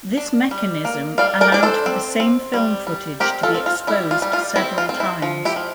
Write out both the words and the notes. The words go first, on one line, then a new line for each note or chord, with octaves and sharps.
This mechanism allowed for the same film footage to be exposed several times.
D4
G3
A#3
G3 D5 F5
A#4 D5
D4 D5
A4 C5
C4
C4
G3
G3
C4 G4 A#4
F4 A4
C4
F4
G3 E4
F4
G3
F4
C4 E4
F4
C4
E4
F3
E4 G4
F3